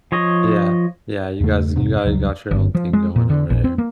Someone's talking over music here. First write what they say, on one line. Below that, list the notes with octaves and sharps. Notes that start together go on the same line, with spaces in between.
Yeah, yeah, you guys you guys got your own thing going over there.
F3 C#5 D#5
E2 C#3 A3
A#1 F2 G#2 C3
E1 C#2 G2 F#3
G1
F3
G#3
A#2
D3
A#1
C4
A#3